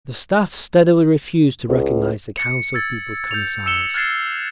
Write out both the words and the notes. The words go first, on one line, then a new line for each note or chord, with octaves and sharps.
The Staff steadily refused to recognise the Council of People's Commissars.
C#2
C#7
E6 G#6 A6
G6 F7
E6 C#7 E7 G7
F6 F#6 G#6 A6 C7 E7